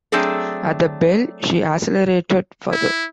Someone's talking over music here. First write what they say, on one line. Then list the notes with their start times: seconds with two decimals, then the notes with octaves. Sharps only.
At the bell she accelerated further.
0.12 F#3 A3 C4 D4 G#4 A4
2.72 E4